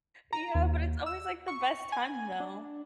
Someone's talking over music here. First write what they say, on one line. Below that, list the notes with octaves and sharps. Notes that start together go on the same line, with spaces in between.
Yeah, but it's always, like, the best time though.
A#5
D#2
E6
C#6
G#5
D4